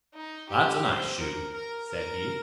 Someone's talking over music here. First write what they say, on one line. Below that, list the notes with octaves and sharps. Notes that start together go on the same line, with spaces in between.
'That's a nice shoe', said he.
D#4
G4
C5
A#4
A#4
A#4